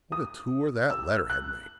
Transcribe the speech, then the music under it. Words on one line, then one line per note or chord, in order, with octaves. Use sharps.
What a tour that letter had made!
D#6
E6
F#6